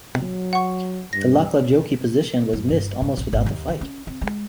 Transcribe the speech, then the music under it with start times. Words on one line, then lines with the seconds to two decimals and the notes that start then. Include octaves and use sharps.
The Laklajoki position was missed almost without the fight.
0.20 F#3
0.53 F#5 C#6
1.13 G2 A#6
2.53 F#2
2.69 G1
3.01 G#2
3.17 A#1
3.33 G#1
3.46 D#2
3.68 D3
3.81 C#4
4.07 C4
4.21 G#3